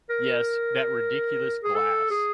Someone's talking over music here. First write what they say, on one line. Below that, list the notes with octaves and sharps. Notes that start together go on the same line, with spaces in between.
Yes, that ridiculous glass.
A#4
G#4
A4
G#4